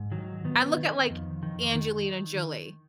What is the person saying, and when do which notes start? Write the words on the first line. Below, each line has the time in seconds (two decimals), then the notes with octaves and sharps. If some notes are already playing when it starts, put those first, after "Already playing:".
I look at, like, Angelina Jolie,
Already playing: G#2
0.11 D#3 F#3
0.44 D#3 B3
0.78 D#3
1.10 F2
1.43 D#3
1.75 D#3